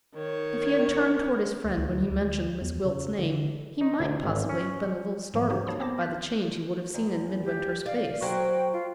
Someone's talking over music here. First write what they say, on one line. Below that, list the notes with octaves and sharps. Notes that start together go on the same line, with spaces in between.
If he had turned toward his friend when he mentioned Miss Gwilt's name he might possibly have been a little startled by the change he would have seen in Midwinter's face.
D#3 C#5
D2
D2
D2
E2
C#3
D3
D#4
D2
G#1
C#4
G#2 E3 F3 G3 A#3
C4 D#4 F#4 G4 C5
C#5 F5 A5 B5 D#6
B3 C4 C5 A5 D6 A#6
F#6 B6
E2
G4
D5 F5
F#3 F#4 C5 G5
F4